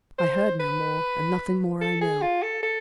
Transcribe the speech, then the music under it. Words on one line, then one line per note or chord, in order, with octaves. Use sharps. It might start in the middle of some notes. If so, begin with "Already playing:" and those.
I heard no more, and nothing more I know.
C5
B4
A4
G#4
F4
A4
A4